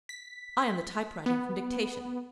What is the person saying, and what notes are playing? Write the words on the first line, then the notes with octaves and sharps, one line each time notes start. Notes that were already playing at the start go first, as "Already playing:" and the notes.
'I am the typewriting from dictation.
B6
B3